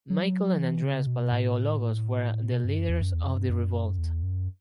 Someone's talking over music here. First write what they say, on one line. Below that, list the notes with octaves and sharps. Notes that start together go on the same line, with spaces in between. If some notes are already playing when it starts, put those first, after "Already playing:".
Michael and Andreas Palaiologos were the leaders of the revolt.
F#3
E3
C#3
B2
A2
B2
G2
F#2
E2
F#2
E2
F#2
G2
F#2
E2
F#2